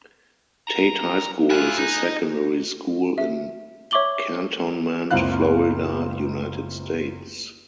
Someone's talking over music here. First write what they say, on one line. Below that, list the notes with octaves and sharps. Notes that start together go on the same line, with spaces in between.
Tate High School is a secondary school in Cantonment, Florida, United States.
A#5
E4 F4 G#5 F#6
D#4
E5
C#5 E5 C#6 D6 F#7 G7
F#1 C#2 C4 E4 F5 F#6